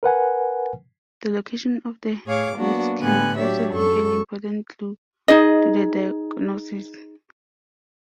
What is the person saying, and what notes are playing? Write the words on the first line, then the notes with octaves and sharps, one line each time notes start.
The location of the wheeze can also be an important clue to the diagnosis.
A#4 B4 F#5 G#5
A2 G#4 C#5 F5 D6
F#3 A#3 B3 D4 F#4
A2 D3 G3 B3 G#5 F#6
F#3 D4 G4 C#5 E5
F#2 A4 C#6
D#4 G#4 D#5